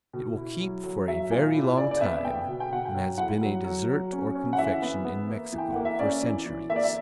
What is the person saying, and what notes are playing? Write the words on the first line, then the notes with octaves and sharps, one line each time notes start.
It will keep for a very long time and has been a dessert or confection in Mexico for centuries.
B2
E4
F#3
F#3
F#3 E5
A#2
E4
C#3 D5
D5
B3 E5
B3 G5
B2
G5
B2 F#5
G5
F#3
E4 F#5
F#3
F#3
F#3
C#4
C#4
F#5
E3 E5
B3
B3
A#3
E3
G5
A#3 F#5
E5
C#4 D5
E3
E3
A#3 E5
D5
E5